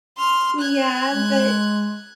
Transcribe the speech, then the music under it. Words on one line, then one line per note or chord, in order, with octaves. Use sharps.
yeah, but
C6 F6
F#6 G#6
G#3